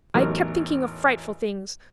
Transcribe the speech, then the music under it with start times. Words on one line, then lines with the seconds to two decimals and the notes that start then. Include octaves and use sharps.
I kept thinking of frightful things.
0.14 A1 E2 F#3 D#4 A#4